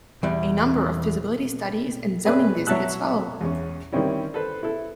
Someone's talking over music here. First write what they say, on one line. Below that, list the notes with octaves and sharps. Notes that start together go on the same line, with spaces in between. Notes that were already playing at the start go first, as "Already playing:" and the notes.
A number of feasibility studies and zoning disputes followed.
E2 G3
C4 C#4 G#4 B4 D5 E5
F#3 C#5 E5 A5 E6 F#6
E2 B3 C#4
D#3 G3 A#3 C4 C#4 E4
A4 B4 C5
E4 A4